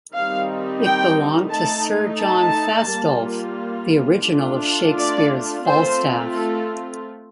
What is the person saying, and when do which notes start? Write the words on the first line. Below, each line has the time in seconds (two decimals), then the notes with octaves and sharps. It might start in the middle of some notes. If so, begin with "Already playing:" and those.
It belonged to Sir John Fastolf, the original of Shakespeare's Falstaff.
0.14 D#3 G3 C4 D#4 F5
0.83 G5
1.51 A3 D#4 A5
2.21 A5
2.90 G3 A#3 F4
4.28 A3 D4 F4
4.98 D5
5.67 A3 C4 F4 C5
6.36 A4